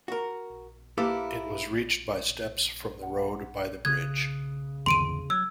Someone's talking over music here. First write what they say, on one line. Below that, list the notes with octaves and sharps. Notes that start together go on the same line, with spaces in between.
It was reached by steps from the road by the bridge.
F#4 A#4
A#3 E4 G4 A4 B4
F#5
C#3 D#6 F#6 G#6
G#1 E2 D3 C6 D7 D#7
F#3 E6 F#6 G#6